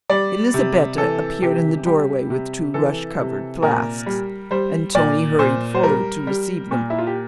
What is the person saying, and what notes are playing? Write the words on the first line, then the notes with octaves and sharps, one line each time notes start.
Elizabetta appeared in the doorway with two rush-covered flasks, and Tony hurried forward to receive them.
G3 D5
C3
E3 A4
C3 G4
G3 G4
C3
E3 A4
C3
A#2 A#4
G3
G3 C5
A#2 D5
A#2 C5
C5
G3 A#4
G3
A#2
E4
F4
G4